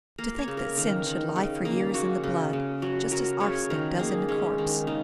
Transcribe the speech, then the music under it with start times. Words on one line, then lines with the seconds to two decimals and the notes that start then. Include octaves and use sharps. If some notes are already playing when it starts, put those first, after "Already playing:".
To think that sin should lie for years in the blood, just as arsenic does in a corpse!
0.18 A#3 A#4
0.38 C#5
0.48 C#3
0.57 A#4
0.78 D#3 A#4
1.06 D#3
1.36 C#3
1.65 A#3
1.94 C#3 F#4
2.24 C#3
2.53 C#3
2.82 F#3
3.11 F#3 A#4
3.40 C#3 C#5
3.70 D#3 A#4
3.99 A#3 G#4
4.28 G#3 C#4
4.58 D#3
4.87 C#3 D#4